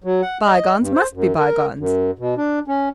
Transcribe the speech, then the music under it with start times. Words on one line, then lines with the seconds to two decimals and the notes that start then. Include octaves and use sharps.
Bygones must be bygones.
0.04 F#3
0.22 F#5
0.45 D#5
0.80 G2
0.94 C5
1.13 F#2
1.38 A#4
1.79 F#2
2.19 B2
2.37 D4
2.68 C#4